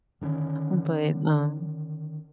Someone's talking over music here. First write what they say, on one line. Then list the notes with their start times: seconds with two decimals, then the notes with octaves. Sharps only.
but, um
0.21 D3 D#3 C4 C#4